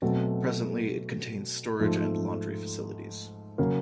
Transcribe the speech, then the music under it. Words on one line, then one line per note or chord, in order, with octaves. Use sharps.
Presently, it contains storage and laundry facilities.
B2 F#3 A3 C4
G#2 F3 A3
C#3 F#3 A#3